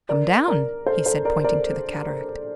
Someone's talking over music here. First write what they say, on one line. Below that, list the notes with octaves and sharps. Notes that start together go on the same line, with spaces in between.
"Come down," he said, pointing to the cataract.
A#4 D5
A#4 D5
A4 C5
A4 C5
A#4 D5
A#4 D5